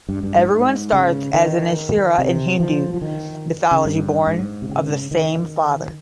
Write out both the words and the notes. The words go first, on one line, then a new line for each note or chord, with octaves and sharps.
Everyone starts as an Asura in Hindu mythology, born of the same father.
G2
G2
G#2
C#3
D#3
C3
F3
F3
D#3
C#3
G2
G#2
C3
C#3
D#3